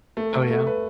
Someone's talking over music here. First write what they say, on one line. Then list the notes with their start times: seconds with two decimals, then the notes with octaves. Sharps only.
Oh, yeah.
0.17 A3
0.33 A3
0.50 A3
0.67 B4